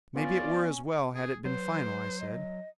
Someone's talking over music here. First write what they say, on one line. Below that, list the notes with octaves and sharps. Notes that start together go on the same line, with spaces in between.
"Maybe it were as well had it been final," I said.
B3 C#4 F4 D5
G#4
F#3 B4 C5
D#5